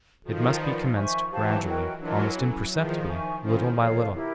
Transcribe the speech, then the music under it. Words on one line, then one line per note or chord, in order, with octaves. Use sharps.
It must be commenced gradually, almost imperceptibly, little by little.
D#3 F3 D#4 F#4 A4
B4 D5 F#5 B5
C5 E5 G#5 C#6
E3 F#3 G4 C5 F5 A5
F#4 A#4 D#5 G5
E3 F#3 D4 F4 A#4 D#5
C#4 E4 A4
D#3 F3 E4 G#4 B4 E5
C5 E5 G#5 C#6
D#3 F3 C#4 E4 A4 C5
B2 A4 C#5 F5
E4 G4 A#4